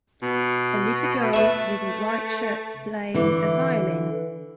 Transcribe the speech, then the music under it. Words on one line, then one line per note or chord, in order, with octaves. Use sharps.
A little girl with a white shirt playing a violin.
B2
A3 B4 E5
D3 E3